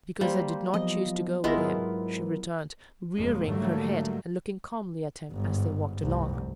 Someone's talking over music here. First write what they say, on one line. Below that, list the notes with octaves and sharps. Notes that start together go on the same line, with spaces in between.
"Because I did not choose to go with him," she returned, rearing her head and looking calmly at him as they walked along.
G3 A#3 C5
F3 F#3 B3 D#5
A1 G#3 B3 E4 F4 G4 E5 A#6
G#2 F#3 A#4
G1 F2 C#3 G#3 A#3
G#2 D3 F#3 G3 A3 A#3
G1 G#2
F1 C2